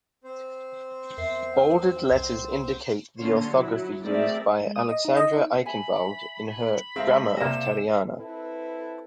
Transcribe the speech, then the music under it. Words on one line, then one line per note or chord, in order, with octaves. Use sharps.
Bolded letters indicate the orthography used by Alexandra Aikhenvald in her "Grammar of Tariana".
C4 C5
E2 A#4 E5 C7
F#5 F6
C2
D3 A#3 C#4 C#5 C6
F#3 E4
A3 C4 G#4 A#4 D5 E5
G#3
D#6
D#5
D#4
D#5
D#4
E5 G#5 B5
B5
G#3 C4 A#4 E5 F5 A5
C3 G3 A#3 A#6 E7
C4 E4 A4 B4